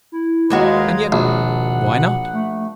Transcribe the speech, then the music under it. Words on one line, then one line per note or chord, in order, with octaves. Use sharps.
And yet--why not?
E4
D#2 G#3 F4 F#4 A#4 B4 G#6
A#1 B2 F#5
A3